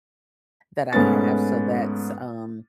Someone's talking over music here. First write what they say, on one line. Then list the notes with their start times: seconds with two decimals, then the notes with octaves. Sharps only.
that I have, so that's, um
0.93 G#2 A3 B3 C#4 B4 A6